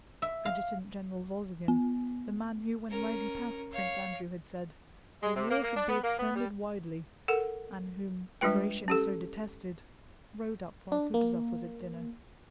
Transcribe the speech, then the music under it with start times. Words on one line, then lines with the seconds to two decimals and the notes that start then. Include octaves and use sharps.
Adjutant General Wolzogen, the man who when riding past Prince Andrew had said, "the war should be extended widely," and whom Bagration so detested, rode up while Kutuzov was at dinner.
0.22 E5
0.45 F5
1.68 B3
2.89 C#4 A#4
3.72 C#5 F5
5.22 G#3
5.36 C3
5.50 A#3
5.63 A#3
5.76 D4
5.89 B3
6.03 A#3
6.19 B3
6.35 G3
7.28 A4 A#4 F#5
8.41 G3 G#3 D4 F4 B4 G5
8.88 C#4 G4 A4
10.92 D4
11.14 A#3